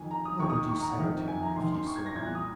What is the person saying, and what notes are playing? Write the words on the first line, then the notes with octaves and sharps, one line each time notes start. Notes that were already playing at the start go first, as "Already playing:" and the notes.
"What would you say to him if you saw him?"
Already playing: F2 D#3 G#5
A#5
D#6
D#2 D#3 C#6
D#6
C#6
A#5
F#5
F2 C3 D#3
G#5
A#5
D#2 D#3 C6
C6
C#6
G#6
A#6
C2 A#2 G#6
F#6
D#6